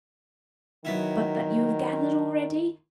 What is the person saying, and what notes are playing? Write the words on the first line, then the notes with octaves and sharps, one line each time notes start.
But that you have gathered already?
D#3 F#3 B3 E4